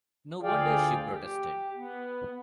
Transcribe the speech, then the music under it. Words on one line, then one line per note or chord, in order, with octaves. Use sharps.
No wonder she protested.
D2 F4 G#4 D5 F5 G5
G4
B3